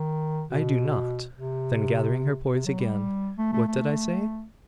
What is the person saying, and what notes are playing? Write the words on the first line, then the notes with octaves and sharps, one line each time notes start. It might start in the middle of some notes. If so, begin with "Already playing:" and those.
"I do not!" Then gathering her poise again, "What did I say?"
Already playing: D#3
B2
C3
C3
F#3
G3
A3
A3
A3